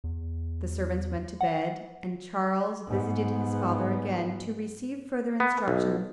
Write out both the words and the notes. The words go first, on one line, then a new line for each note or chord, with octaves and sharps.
The servants went to bed, and Charles visited his father again, to receive further instructions.
E2
F#5
G#2 B3
B3
B1